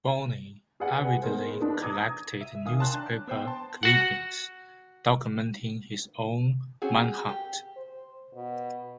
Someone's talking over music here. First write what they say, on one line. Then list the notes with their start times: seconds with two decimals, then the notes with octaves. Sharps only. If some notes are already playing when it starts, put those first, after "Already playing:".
Bonin avidly collected newspaper clippings documenting his own manhunt.
0.80 G4 G#4 B4 D5 F#5 G#5
1.22 G#3 A3 B3 G#4 A#4 C5
1.60 D4 D#4 B4
1.82 A#5 D6 D#6 G#6
2.41 E5
2.65 D#3 F5 G#5 D#6
2.79 C#5 G5 A5 A#5 C6 F#6
2.93 D4
3.27 B3 C5 G5
3.47 A5 C6
3.83 F#4 F#5
6.82 C4 C#4 F#4 G#4
7.29 G4
7.76 C5
8.34 B2